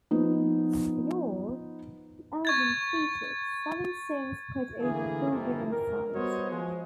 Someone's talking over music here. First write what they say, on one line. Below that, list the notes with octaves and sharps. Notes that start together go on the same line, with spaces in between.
In all, the album featured seven songs spread over four vinyl sides.
F3 B3 D#4
C#6 G#6 A6
D3 E3 A3 A#3 G#4
G1 F2 C3 E3 A3 A#3
A#4
G3 B3 F#4 C5 C#5 D#5
F3 G#3